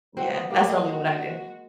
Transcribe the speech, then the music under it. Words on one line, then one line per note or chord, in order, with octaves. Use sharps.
Yeah. That's normally what I do.
C4 F#4
B3
A#3 G4
G#3
G#3 F#4